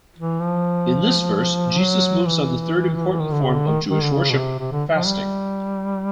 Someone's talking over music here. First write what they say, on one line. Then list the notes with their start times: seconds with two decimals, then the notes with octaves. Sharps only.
In this verse Jesus moves on the third important form of Jewish worship: fasting.
0.18 E3
0.41 F3
1.80 F#3
2.27 E3
3.19 D#3
3.32 D3
3.43 C#3
3.55 D3
3.66 D#3
3.90 D#3
4.01 D3
4.13 C#3
4.31 B2
4.37 C3
4.59 C3
4.72 D3
4.94 F3
5.06 G3